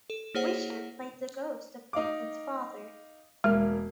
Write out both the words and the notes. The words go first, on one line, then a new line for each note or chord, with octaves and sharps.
Wisher played the ghost of Benton's father.
A4
A#3 E4 G#4 C5 C#5 F#5
D#4 F5 D6
E1 G#3 A#3 F6